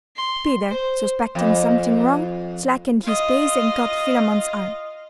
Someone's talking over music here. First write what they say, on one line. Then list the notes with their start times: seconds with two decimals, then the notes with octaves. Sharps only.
Peter, suspecting something wrong, slackened his pace, and caught Philammon's arm.
0.16 C6
0.68 C5
1.35 F2
3.05 F4 D#5